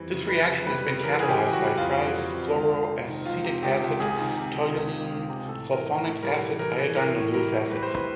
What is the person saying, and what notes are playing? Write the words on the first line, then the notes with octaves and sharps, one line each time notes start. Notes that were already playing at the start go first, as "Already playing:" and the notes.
This reaction has been catalyzed by trifluoroacetic acid, toluenesulfonic acid, iodine, and Lewis acids.
Already playing: F2 E3 G3
C#3
G3 B4
C#3
G3 B4
C#3
E3 A#4
C#3 G#4
G4
E3
F#4
G3
F2 F4
F2
G3
F2
C#2
C#2
C3
D#3
C#2 F4
C3
C#2 G4
C#2
C#2 G#4
D#3
C3
D#3
C#2
C#2
C#2
C3
A2 A4
E3
A#4
A2
A#4
A2
G3 A#4
E3
E3 A#4
E3
E3 A#4
A2
G3 A#4
A2
G3 B4
C5
A2
B4